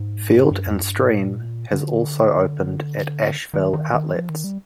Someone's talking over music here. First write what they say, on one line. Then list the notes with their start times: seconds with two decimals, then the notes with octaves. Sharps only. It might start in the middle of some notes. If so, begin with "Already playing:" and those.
Field and Stream has also opened at Asheville Outlets.
Already playing: G#2
0.51 G2
0.66 F2
0.82 G2
0.97 G#2
1.11 A#2
1.72 D3
3.54 D#3
3.73 D#3
3.94 D#3
4.14 F3
4.29 D#3
4.44 G3